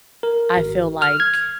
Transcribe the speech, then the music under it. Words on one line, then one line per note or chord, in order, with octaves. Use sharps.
I feel like
A#4
G#1
F6
G#6